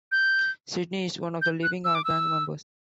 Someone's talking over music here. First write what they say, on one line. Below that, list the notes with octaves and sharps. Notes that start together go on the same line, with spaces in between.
Sidney is one of the living "Our Gang" members.
G6
G6
F#6
E6
D6
E6